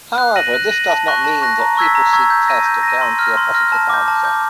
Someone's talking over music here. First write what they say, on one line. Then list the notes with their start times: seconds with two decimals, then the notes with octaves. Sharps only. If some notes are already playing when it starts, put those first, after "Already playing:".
However, this does not mean that people seek tests that guarantee a positive answer.
0.18 F#6
0.36 A#6 D#7 F#7
0.54 F#6
0.71 A#6 D#7 F#7
0.89 A5
1.07 C#6 F#6 A#6
1.25 A5
1.42 C#6 F#6 A#6
1.60 A#5
1.77 C#6 E6 G#6 B6
1.95 A#5
2.13 C#6 E6 G#6 B6
2.30 G6
2.48 A#6 D#7
2.65 G6
2.83 A#6 D#7
3.01 C6
3.19 F6 A#6
3.37 C6
3.54 F6 A#6
3.72 A5
3.90 D6 G6
4.08 A5
4.25 D6 G6